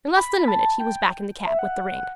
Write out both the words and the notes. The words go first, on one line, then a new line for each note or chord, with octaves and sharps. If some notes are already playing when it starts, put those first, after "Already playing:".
In less than a minute he was back in the cab with the ring.
B5
B5
A5
G5
E5
F#5
F#5